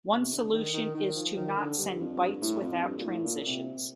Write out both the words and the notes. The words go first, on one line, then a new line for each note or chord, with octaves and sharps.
One solution is to not send bytes without transitions.
C3
D3
D#3
D#3
D#3
F3
D#3
D3
G2
F2
G2
A2
F2
G2
A#2
A2
A#2
C3